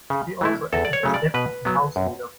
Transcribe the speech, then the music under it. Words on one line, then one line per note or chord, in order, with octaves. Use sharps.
She also acted as Deputy House Leader.
C#3
E3 A3 E4
E2 A4
D5
C#5
C#3 F#3 A3
D5
B2 B4
F#3 B3
F#2